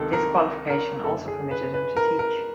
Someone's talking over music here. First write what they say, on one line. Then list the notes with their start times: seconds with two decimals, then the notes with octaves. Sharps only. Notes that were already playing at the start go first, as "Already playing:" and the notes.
This qualification also permitted him to teach.
Already playing: C#2 C3 D#3 A4
0.13 A#4
0.70 A#4
1.04 F#1 F#2 D3 A4
1.28 G#4
1.51 B4
1.74 B4
1.96 A#4
2.19 A#4